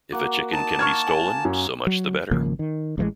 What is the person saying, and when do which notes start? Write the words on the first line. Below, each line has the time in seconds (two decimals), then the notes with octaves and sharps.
If a chicken can be stolen, so much the better.
0.12 A#3 F#4
0.53 D#4 A5 A#5
0.79 C#6 F6 G#6
1.07 G#5
1.45 F#2
1.87 F#3
2.31 G#1 C#3 F3 A#3
2.59 D#3
2.98 A1 G2 E3 G#3